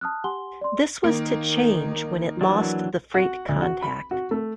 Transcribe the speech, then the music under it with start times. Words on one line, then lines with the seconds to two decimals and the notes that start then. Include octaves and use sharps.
This was to change when it lost the freight contact.
0.01 A5 D#6 F6 F#6
0.24 G4 F#5 G#5 C6 G7
0.61 D5 C6
1.04 D#3 A#3 D#4
2.41 E3 F#3 D4
3.14 F#4
3.49 D2
3.62 F#4
3.83 B5
4.11 F#4
4.31 A3